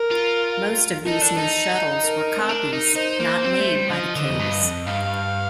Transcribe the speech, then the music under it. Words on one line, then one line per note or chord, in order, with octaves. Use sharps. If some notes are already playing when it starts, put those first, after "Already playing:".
Most of these new shuttles were copies, not made by the Kays.
Already playing: A#4
F4
D#4 A4
D4
D#4
A#4
C4
D4
D#4
D#4 C5
A#3
C4
A3
G3
F3 D#5
D3
F2
G2
F2
G2 F5